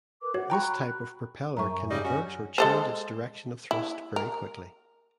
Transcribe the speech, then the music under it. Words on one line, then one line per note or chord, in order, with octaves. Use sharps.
This type of propeller can reverse or change its direction of thrust very quickly.
A#4 B4 D6
F#4 C#5 E5 F#5
F#4 G5 A#5 B5 C#6 F#6
F#2 E5 G#5 A#5 C#6
C#3 G3 D#5
C#4 F#4
G#3 A4 C5
E4
A#4